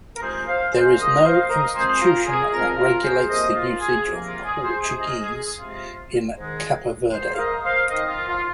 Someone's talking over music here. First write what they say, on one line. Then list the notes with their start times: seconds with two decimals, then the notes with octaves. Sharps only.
There is no institution that regulates the usage of Portuguese in Cape Verde.
0.16 A#4
0.22 C3 D#3 G#3 F4 G#4 C5
0.47 C5 F5
0.73 G#4 C5
0.98 C3 D#3 G#3 F4 A#4 D#5
1.18 D#5
1.24 C5 F5
1.49 A#4 D#5
1.75 A#2 F3 G#3 C4 G#4 C5
2.01 F4 A#4
2.26 G#4
2.52 A#2 F3 G#3 C4 F4 A#4
2.77 F4 A#4
3.03 G#4 C5
3.28 C3 F3 A#3 A#4 D#5
3.55 F4
3.80 G#4
4.05 C3 F3 A#3
4.25 F4 A#4
4.44 G#4
4.63 G#4 C5
4.82 C3 G#3 F4 G#4
5.01 A#4 D#5
5.21 G#4
5.59 C3 G#3 F4
6.36 G#2 D#3 G#3
7.12 G#2 D#3 G#3 G#4 C5
7.34 F5
7.38 A#4 D#5
7.64 C5 F5
7.89 D#3 C4 D#4 A#4 D#5
8.09 F4
8.27 F4